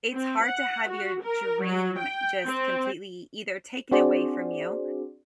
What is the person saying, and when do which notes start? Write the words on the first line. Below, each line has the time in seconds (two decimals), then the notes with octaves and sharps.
it's hard to have your dream just completely either taken away from you,
0.13 C4
0.43 F#5
0.88 F#4
1.22 A#4
1.62 F#3
2.00 G5
2.47 C4
3.92 C4 D4 F#4 G#4 C5 D5